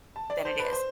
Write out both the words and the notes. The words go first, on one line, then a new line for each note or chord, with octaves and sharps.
than it is?"
A5
D5
C5
B4
C5